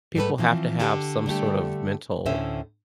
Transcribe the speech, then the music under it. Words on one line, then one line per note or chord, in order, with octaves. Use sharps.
people have to have some sort of mental
G#2 G3 A3 A4 B4
E3 F3 C4
D3 G4
D3 G3 A3 G4
D2 A2 D3 C#4 C5 E5